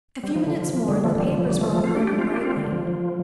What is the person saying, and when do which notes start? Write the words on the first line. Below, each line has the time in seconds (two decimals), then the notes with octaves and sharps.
A few minutes more and the papers were all burning brightly.
0.23 G3 C4
0.36 F3
0.47 D3
0.58 F3
0.73 F3
0.88 D3 G3
1.04 F3 A3
1.15 D3 G3
1.27 F3
1.39 F3
1.49 D3 G3
1.61 F3 A3
1.72 F3 A3
1.84 C4 F4
1.95 D4 G4
2.07 D4 G4
2.18 C4 F4
2.30 D4 G4
2.41 C4 F4
2.57 D3
2.72 F3
2.87 F3